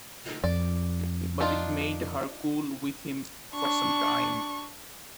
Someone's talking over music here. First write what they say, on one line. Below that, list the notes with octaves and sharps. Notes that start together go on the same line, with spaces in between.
But it made her cool with him for some time.
F2 D5
D4 D#4 F4
D4 C#6